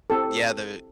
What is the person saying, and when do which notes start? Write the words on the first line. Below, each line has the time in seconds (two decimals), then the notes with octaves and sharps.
yeah, the
0.10 C4 E4 G4 A4